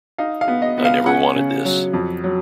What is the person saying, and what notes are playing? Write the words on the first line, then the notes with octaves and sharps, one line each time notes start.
'I never wanted this'.
D#4 F5
F5
B3
D#5
B3
F5
C#4 F#5
C#3
F#3
F2
F#3